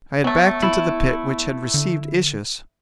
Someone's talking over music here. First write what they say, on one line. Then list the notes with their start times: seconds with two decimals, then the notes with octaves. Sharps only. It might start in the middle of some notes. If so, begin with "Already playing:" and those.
I had backed into the pit which had received Issus.
0.24 F#3 A3 B3
0.62 E4
1.74 D3